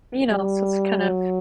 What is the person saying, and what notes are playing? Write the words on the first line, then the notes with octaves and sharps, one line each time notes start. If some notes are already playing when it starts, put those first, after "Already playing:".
You know, so it's kind of
G3
F#3